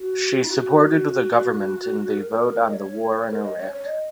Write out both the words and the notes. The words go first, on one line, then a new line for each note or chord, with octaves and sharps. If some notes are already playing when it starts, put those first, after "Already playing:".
She supported the Government in the vote on the war in Iraq.
Already playing: F#4
D#4
F#4
A#4
D#5
C#5
A#4
D#5
C#5
C#5
D#5